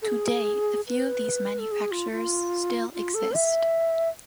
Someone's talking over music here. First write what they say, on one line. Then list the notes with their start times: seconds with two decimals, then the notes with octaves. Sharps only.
Today a few of these manufacturers still exist.
0.02 A4
0.07 G#4
0.88 B4
1.59 A4
1.71 G#4
1.91 F4
2.12 F4
2.94 F4
3.14 A4
3.35 E5